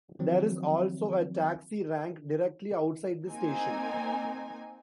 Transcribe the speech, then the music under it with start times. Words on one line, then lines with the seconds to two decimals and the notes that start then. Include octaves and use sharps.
There is also a Taxi rank directly outside the station.
0.19 D#3 F3 F#3 C4
3.26 A#3 C4 D#4 G#5